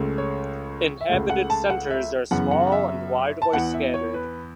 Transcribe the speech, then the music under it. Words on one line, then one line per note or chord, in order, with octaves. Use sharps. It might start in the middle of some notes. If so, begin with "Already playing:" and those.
Inhabited centers are small and widely scattered.
Already playing: C#2 C#3 A3
C#5
E5
C#2 C#3 A3 F#5
F#5
A5
F#5
E5
F#2 C#3 E3 B3 F#5
F#5
F#5
E5
A5
E2 E3 B3 F#5
E5
C#5
B4